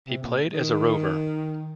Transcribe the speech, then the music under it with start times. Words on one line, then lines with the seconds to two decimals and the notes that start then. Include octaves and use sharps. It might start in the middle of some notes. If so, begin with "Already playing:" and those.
He played as a rover.
0.07 C3
0.23 A#2
0.53 D#3